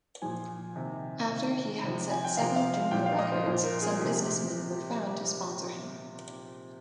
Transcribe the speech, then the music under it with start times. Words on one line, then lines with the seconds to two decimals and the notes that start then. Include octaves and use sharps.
After he had set several junior records, some businessmen were found to sponsor him.
0.22 A#2 F3 G#5
0.76 C3 D#3
1.30 C3 D#3
1.83 C3 F3
2.11 G#5
2.25 G5
2.37 C3 F3 F5
2.56 F5
2.74 F5
2.91 A#2 F3 G5
3.06 F5
3.19 D#5
3.32 C5
3.46 A#2 F3 C5
3.64 A#4
3.82 G#4
4.00 C3 F3 G4